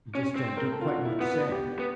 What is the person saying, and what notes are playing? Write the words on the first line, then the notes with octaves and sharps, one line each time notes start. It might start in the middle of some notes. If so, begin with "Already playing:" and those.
You just, uh, don't quite know what to say.
C#4
C4
A#4
A4
F4
F#4
E4
B3 F#4
G4
B3